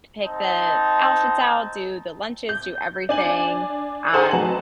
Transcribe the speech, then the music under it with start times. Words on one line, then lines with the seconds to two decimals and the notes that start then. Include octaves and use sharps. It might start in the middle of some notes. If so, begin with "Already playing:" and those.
pick the outfits out, do the lunches, do everything, um,
0.23 C4 D#4 A5
2.49 G6
3.09 D4 G#5 F#7
4.13 G#4 A4 C5 F#5 G#5 A#5
4.31 A1 F#3 B4 A5 A#5 F#7